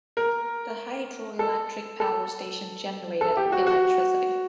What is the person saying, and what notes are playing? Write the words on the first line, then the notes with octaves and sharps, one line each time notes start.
The hydroelectric power station generated electricity.
A#4
A4
A4
A4
G4
F#4
F#4